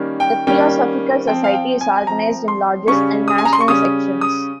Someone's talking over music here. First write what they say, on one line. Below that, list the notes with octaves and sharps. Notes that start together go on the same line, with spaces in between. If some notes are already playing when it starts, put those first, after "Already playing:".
The Theosophical Society is organised in lodges and national sections.
Already playing: D#3 G3 A#3 C#4
G5
D#3 G3 A#3 C#4 G5
F3 C4 G5
F5
G5
G#5
F3 C4 A#5
C6
C#3 G3 C#4 C#6
D#6
G#5
A#5
C6
C#6
C#3 G3 C#4 D#6
D#6